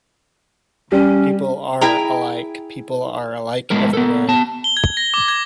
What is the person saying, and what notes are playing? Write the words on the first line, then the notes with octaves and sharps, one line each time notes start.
People "are" alike... people are alike everywhere!
G3 C#4
E4 G#4 G5 A#5
A2 G#3 B3 A#4
B3 A4
B3 A5
G7
G#6
A#6
D6
G#6